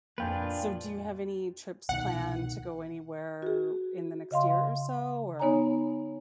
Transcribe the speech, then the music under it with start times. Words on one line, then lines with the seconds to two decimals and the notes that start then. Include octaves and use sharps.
So, do you have any trips planned to go anywhere in the next year or so, or
0.18 F2 A#2 A#3 D4 F4 B4 G5 G#5
1.89 C2 B2 D#3 F#5
3.42 F#4 G#4
4.31 C#3 D#5 F5 C6
5.40 B3 D#4 C#5 G#5 A#5